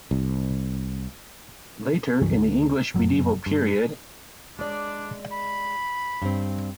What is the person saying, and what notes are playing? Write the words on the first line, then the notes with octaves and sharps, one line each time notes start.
Later, in the English Medieval period.
C2
C#2 G2 E3 F#3
D2
F1 F#2 F#3 A#3
G2
G#3 D4 D5
B5
G2 C4